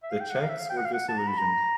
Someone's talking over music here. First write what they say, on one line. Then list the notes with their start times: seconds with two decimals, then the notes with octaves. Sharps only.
The Czechs were disillusioned.
0.03 E5
0.11 F5
0.21 G5
0.30 F#5
0.41 F5
0.49 E5
0.59 F5
0.70 G5
0.77 F#5
0.86 F5
0.94 F#5
1.08 A5
1.18 A#5
1.28 B5
1.38 A#5